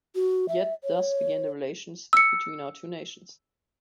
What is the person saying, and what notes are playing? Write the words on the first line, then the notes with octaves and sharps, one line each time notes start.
Yet thus began the relations between our two Nations.
F#4
E5
C#5
E6 C#7